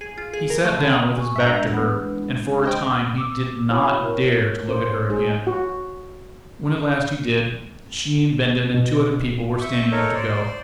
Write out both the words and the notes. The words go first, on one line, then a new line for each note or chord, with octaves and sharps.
He sat down with his back to her, and for a time he did not dare to look at her again. When at last he did, she and Bindon and two other people were standing up to go.
G#4
F4
G#4
A#4
A3
D3
G#5 C#6
G#3 D4 E5 A#5
E2 B3
C5 D#5 G5
D6 E6
B3 E4 F#4 C#5 B5
E4 A#4
C#4 C5
G#3 D#4 G#4
F#4
B2
E5 C#6 G6
D#4 A4 A#4 C#5
C5 D5